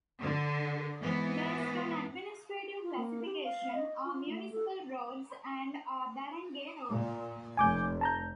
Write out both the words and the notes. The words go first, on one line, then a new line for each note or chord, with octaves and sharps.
Based on administrative classification, are municipal roads and are barangay roads.
D3
G#2 E3 B3
F4
A#3
G4
F5
D#5
F4
A3
A4
A#2
F1 G#5 D6 G6
A5 A#5 G6